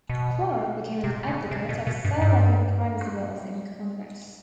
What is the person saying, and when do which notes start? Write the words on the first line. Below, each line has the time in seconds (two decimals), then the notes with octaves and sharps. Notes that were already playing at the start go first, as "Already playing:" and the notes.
Clark became an advocate of cell record privacy bills in Congress.
0.09 B2
1.04 C3
1.28 C#3
1.51 C3
1.69 B2
1.87 B2
2.04 G2
2.21 G2